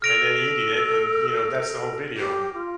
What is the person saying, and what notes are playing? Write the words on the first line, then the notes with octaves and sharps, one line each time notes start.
and then eating it, and, you know, that's the whole video. And
A4 F6 A#6 D7 F7
G4
F4